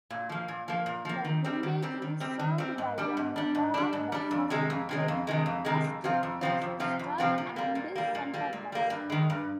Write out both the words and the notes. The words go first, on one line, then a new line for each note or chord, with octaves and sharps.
The village is served by a number of buses including First Leicester and Centrebus.
A#2
F3 A#3
A#2
F3 A#3
A#2
F3 A#3
D#3
G3 C4
D#3
G3 C4
D#3
G3 C4
D#3
G3 C4
G#2
G3 D4
G#2
G3 D4
G#2
G3 D4
G#2
G3 D4
F2
C3 D#3 G#3
F2
C3 D#3 G#3
F2
C3 D#3 G#3
F2
C3 D#3 G#3
F2
C3 F3 C4 F4
F2
C3 F3 C4 F4
F2
C3 F3 C4 F4
F2
C3 F3 C4 F4
A#2
G3 A#3
A#2
G3 A#3
A#2
G3 A#3
A#2
G3 A#3
G2
D#3 G#3
G2